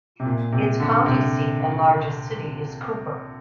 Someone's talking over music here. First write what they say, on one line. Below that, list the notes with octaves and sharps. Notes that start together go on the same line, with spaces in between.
Its county seat and largest city is Cooper.
C3
A#2
C3
D3
C3